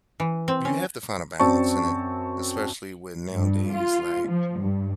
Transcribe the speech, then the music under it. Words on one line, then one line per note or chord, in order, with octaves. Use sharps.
you have to find a balance in it, especially with, nowadays, like,
E3
C4
C#4
F#2 C4 D5 A5 C#6
G2
F4
F3
G2